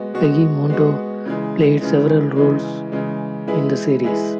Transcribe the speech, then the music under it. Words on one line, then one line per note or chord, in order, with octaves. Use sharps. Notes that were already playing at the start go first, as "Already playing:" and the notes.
Peggy Mondo played several roles in the series.
Already playing: G#3 B3 F#4
G#3 B3 F#4
G#3 B3 F#4
C#3 E3 G#3
C#3 E3 G#3
C#3 E3 G#3
C#3 E3 G#3
E3 G#3 E4 G#4 B4
E3 G#3 E4 G#4 B4